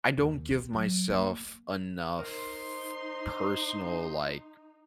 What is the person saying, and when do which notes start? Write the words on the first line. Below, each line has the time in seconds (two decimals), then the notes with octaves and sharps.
I don't give myself enough personal, like
0.18 D#2
0.50 C4
0.73 F#3
1.09 A#3
2.19 D#4 A#4 C5 C6